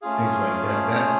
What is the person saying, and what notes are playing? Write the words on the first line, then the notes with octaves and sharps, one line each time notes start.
things like that, that
A3 C#4 F4 G#4 F5